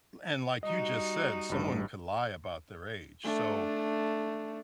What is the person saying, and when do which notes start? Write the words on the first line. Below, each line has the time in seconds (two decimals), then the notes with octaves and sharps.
Eh, and like you just said, someone could lie about their age, so
0.63 G3 D#4 F#4 D#5
1.49 A1 G2
3.24 A3 D4